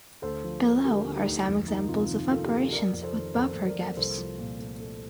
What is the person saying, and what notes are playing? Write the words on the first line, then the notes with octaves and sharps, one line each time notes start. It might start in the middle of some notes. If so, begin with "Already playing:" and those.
Below are some examples of operations with buffer gaps.
D2 A4 C5
F3
D3
D3 G4 A#4
D2
D#4 G4
D2
F2
A#3 D#4
C3 F4
D#3
A#3 F4 A4
G4
A#3 F4 A4
A#3 A#4 D5
F2
A4 C5
D#3
F2 A4 C5
F2
A#4 D5
A#3
C2 A4 C5
F3
A#2
A3
A3